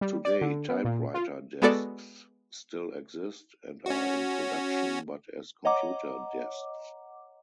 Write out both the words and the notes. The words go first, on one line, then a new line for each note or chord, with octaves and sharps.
Today, typewriter desks still exist, and are in production but as computer desks.
G3
D5
D3
B3
A#2
F4
G#3 B3 F#4 A4 D5
C#4 F#4
C#5 D#5 F#5 A#5 D6